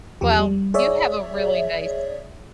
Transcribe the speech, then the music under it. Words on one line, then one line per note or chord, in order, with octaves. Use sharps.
Well, you have a really nice
E2 F3 G4
G3
G#4 C#5 D5 E5